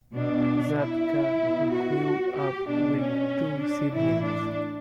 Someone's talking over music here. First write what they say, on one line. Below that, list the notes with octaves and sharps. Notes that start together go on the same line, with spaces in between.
Zabka grew up with two siblings.
B2 D4
E4
B2
F#4
G4
B2 D4
C#4
D4
A2 E3 E4
D4